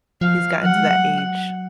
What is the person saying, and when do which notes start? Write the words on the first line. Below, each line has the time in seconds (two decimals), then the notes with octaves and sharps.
He's gotten to that age.
0.21 F3 F5
0.62 F#3 F#5
0.76 G#3
0.89 F#3